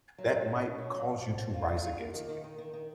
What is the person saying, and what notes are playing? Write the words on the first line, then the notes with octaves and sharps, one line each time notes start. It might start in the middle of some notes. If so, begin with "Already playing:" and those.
that might cause you to rise against me.
F#3
C#4
C#4
C#4
C#4
F#3
F3
C4
C4
F4
F4
F4
A#3
D#3
D#3
D#3
D#3
D#3